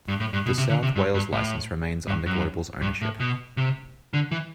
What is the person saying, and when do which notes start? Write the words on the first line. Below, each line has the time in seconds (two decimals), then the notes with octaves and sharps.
The South Wales licence remains under Global's ownership.
0.08 G2
0.20 A2
0.33 G2
0.46 B2
0.58 C3
0.70 D3
0.83 C3
0.96 G2
1.14 G2
1.33 A2
2.08 G2
2.26 F#2
2.82 G2
3.02 A2
3.20 B2
3.57 C3
4.14 D3
4.32 E3